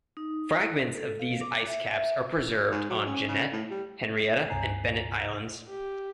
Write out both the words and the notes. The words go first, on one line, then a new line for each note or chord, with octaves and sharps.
Fragments of these ice caps are preserved on Jeannette, Henrietta, and Bennett Islands.
D#4
E4
A#4
A4
F5
D6
E5
E5
G#2
F#3
C#4
C#3
A2
G3
C#2 G2 C3 G#5 A#5 C7
G4